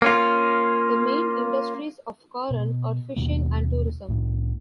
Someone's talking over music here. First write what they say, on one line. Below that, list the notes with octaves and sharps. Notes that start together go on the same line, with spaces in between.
The main industries of Coron are fishing and tourism.
A#3 C#4 F4
B2
D#2 B2 A#3
C2 A2